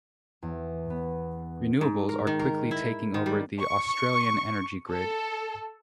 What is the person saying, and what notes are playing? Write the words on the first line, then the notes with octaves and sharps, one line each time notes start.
Renewables are quickly taking over the Australian energy grid.
E2
B3
G#2
A#4
D#3
A#4
E4
D#3
G3
C#6
A4